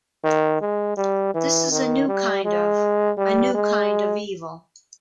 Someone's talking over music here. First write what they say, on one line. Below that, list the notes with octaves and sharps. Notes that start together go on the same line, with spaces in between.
This is a new kind of -- a new kind of evil.
D#3
G#3
G3
E3
D#3
G3
G#3
G3
G#3